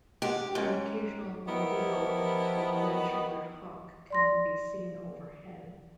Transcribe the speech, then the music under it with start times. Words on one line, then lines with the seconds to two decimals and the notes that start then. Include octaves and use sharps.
An occasional bald eagle or red-shouldered hawk can be seen overhead.
0.22 G#3 G4 A#4 F#5
0.55 G#2 D#3 C#4
1.48 D#3 F3 B3 E4 G4 A#4
4.10 D5 C6 A#6